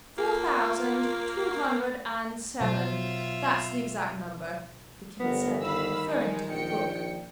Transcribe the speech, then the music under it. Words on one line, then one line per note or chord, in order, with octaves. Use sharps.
'Four thousand two hundred and seven, that's the exact number,' the King said, referring to his book.
A#3 F4
B2 F#3 F4 C5 E5
G1 B3 A#4
D#3 F5 B5 E6
G3 G#3 D#4
A#1 G5 C#7